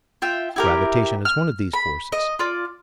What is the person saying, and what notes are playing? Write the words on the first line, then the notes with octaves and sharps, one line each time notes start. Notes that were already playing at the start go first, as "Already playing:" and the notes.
Gravitation is one of these forces.
F4 E5 G5
E4 G4 A#4
F6
B5
D#5
F4 D5